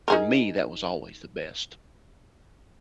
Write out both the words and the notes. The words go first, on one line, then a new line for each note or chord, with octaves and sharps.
For me, that was always the best,
D#4 G#4 A#4